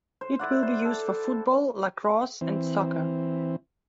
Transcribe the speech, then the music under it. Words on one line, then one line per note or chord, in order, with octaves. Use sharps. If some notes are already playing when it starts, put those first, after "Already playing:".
It will be used for football, lacrosse and soccer.
C5
E4 D5 F#5
C5
A4
E3 C4